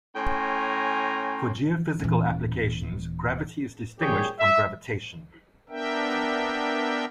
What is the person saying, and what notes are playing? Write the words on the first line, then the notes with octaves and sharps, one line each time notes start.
For geophysical applications, gravity is distinguished from gravitation.
A2 C#4 C5 G5 G#5 A#5
D#1 E3
F#2 A#2 G4 G#4 C#5 G5
E5
B3 D4 A#4 E5 G5